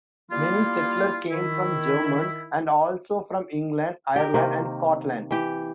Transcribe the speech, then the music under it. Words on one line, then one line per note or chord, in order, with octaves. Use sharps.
Many settler came from German, and also from England, Ireland and Scotland.
G3 A#3 E4 F4
D#3 E4
G4 A#4
C3 D#3 A#3
E3 G4